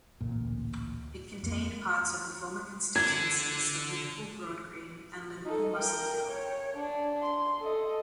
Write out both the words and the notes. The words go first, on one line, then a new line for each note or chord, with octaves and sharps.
It contained parts of the former constituencies of Liverpool Broadgreen and Liverpool Mossley Hill.
A1 D2 A#2
F2 A#3
D3 D4 G#6
D#4 A4
A#4 G5
C#5
D4
C6
A4 D#5